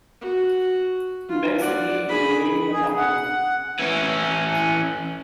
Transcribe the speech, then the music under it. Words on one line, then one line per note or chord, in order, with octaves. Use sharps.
Quebec City remained the capital.
F#4
F4
D5 F#5
G#4 B5
G#4
F#5
E3 C#4